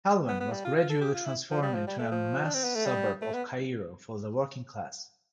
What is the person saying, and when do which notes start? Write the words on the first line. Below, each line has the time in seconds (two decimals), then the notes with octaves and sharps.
Helwan was gradually transformed into a mass suburb of Cairo for the working class.
0.28 B3
0.40 B3
0.52 G3
0.65 F4
0.77 F4
0.89 A4
1.01 G4
1.14 F4
1.25 E4
1.51 F3
1.63 G3
1.74 F3
1.87 G3
1.99 A3
2.11 F3
2.45 D4
2.54 C4
2.64 B3
2.75 A3
2.85 G3
3.22 A3
3.34 B3